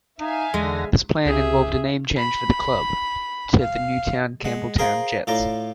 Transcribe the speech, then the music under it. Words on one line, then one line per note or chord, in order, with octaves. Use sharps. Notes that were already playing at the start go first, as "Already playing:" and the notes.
This plan involved a name change for the club, to the Newtown-Campbelltown Jets.
D#4 E5 F5 G#5
E2 D3 G#3 F#5 A#6
C#2 C#3 G4 G#4 E5
B5
F5
G#3 F#5
G#4 A#4 C5 F5 G5
A2 F4 D5 A#5